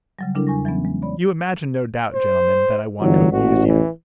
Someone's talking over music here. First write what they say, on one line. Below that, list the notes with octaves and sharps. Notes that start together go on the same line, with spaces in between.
You imagine no doubt, gentlemen, that I want to amuse you.
C#3 F#3 G3
C#3 G3 D4 E4 A4 A#4
E2 G#5 C#6 A#6
E3 F#3 G#3 B3 C#4
G#3
C#5 D5 B5
C5
G1 E3 F#3
A1 F#4
E3